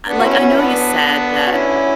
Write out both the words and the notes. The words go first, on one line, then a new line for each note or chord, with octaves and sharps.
like I know you said that
B3 D4
F#4
C#4 E4
F#4
E4
B3 D4
F#4
C#4 E4